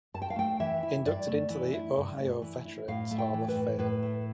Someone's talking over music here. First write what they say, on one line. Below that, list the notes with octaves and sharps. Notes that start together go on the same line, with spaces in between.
Inducted into the Ohio Veterans Hall of Fame.
G2 A5
G5
F5
A3 G5
E3 E5
E4
G2 D5
A3
E3
E4
G2
A3
E3
E4
A2 F5
A3
G5
E3
B4
A2
A2 B4
A3